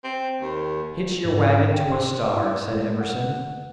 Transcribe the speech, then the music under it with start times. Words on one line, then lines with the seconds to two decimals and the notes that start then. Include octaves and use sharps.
"Hitch your wagon to a star," said Emerson.
0.04 C4
0.41 D#2
1.25 G#2
1.73 G5
1.92 C6
2.36 E4
2.72 G#3
3.01 F#5